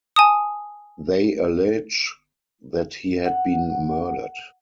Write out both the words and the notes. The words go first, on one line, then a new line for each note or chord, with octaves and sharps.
They allege that he had been murdered.
G#5 A5 D#6
F#5